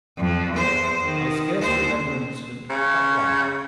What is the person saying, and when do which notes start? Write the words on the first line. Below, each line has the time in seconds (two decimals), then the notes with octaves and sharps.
I scarce remember an incident but one.
0.17 F2
0.54 E2 C5
1.04 D#3
1.61 D#2 C5
2.70 C#3